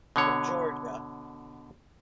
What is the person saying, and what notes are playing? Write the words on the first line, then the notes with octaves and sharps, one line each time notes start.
from Georgia.
B2 D3 C#5